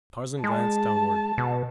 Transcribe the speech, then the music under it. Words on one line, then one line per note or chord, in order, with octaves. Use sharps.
Tarzan glanced downward.
G#3 A5
B2